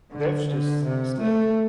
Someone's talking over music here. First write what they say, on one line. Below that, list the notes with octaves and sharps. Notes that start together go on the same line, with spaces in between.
That's just Steph.
D3
D3
C3
A3